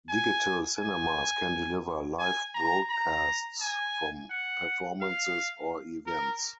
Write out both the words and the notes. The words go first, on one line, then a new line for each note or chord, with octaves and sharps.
Digital cinemas can deliver live broadcasts from performances or events.
G#5
G#5
G#5
A#5
A#5
G#5
F#5
F5
A#4